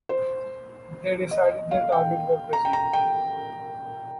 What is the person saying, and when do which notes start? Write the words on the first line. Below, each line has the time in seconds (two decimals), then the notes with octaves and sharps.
They decided their target was Brazil.
0.09 C5
1.31 D#5
1.71 F5
1.92 G5
2.53 A#5
2.65 G5
2.73 A#5
2.93 G5